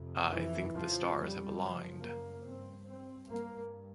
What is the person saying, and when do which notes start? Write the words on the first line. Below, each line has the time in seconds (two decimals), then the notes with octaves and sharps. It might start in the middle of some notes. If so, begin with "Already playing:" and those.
I think the stars have aligned.
Already playing: F2 C3
0.32 E3
0.74 F2 C#3 F3
1.17 G3
1.59 F#2 C#3 F3
2.02 A#3
2.44 G2 C4
2.87 C4
3.29 G2 A#3